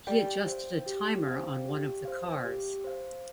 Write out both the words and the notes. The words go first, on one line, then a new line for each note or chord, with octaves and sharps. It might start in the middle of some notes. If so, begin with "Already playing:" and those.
He adjusted a timer on one of the cars.
G4 D5 G5
C5 F5
G4
C5 F5
G4
C5 F5
G4
C5 F5